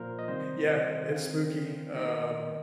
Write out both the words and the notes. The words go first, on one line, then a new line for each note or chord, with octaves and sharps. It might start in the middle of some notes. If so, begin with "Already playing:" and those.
Yeah, it's spooky, um,
Already playing: A#2 F3 A#3 A#4 C5
D#5
C3 D#3 G3 C4 C5
D#5
D#3 C4 F5
D#3 A#3 D#5